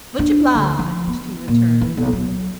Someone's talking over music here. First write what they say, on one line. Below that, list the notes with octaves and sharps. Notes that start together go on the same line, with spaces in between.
"Much obliged," he returned.
D4
D2
F3
B3
A#2
E3
B1
F#3